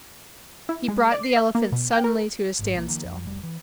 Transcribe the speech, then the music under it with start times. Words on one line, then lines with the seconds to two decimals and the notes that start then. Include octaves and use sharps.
He brought the elephant suddenly to a standstill.
0.69 E4
0.88 G#3
1.12 D5
1.23 C7
1.36 E5
1.55 A#3
1.72 B2
1.92 G5
2.04 A#4
2.59 G#1 G#2
2.75 B1 F3 A#3
2.88 D#3 F3 A#3
3.04 F2
3.24 F1 G3
3.43 E3